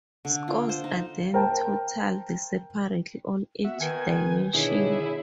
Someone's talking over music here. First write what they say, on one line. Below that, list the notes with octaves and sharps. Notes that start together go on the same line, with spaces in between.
Scores are then totaled separately on each dimension.
D3
F4
C5
D#4
A#4 C5 G5 A5
B3 F#4 E5
D#3 B4 G#5
B2 D3 D#3 E4 G#4 C#5